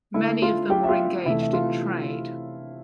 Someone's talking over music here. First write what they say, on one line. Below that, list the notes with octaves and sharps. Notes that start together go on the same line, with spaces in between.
Many of them were engaged in trade.
D3 A3 E4 E5
F4 F5
G4 G5
E5
F4 F5
C3 E3 A3 E4 E5
E5
F4 F5